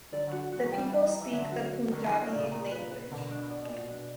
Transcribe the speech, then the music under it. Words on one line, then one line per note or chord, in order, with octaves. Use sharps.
The people speak the Punjabi language.
D3 F#3 D5
D3 F#3 F#4
F#4
C#3 E3
F#3
E3 G3 G5
B4
A#5
E3
D3 F#3 E5
F#4
F#4
D3 F#3 A#4
E3 G3
E4
F#3 A#3
A#2 C#3 D5
A#2 C#3 A#5
B4
B4
B2 D3 A#4
B2 D4
B2
D5
B2
A#2 D5
B2
D4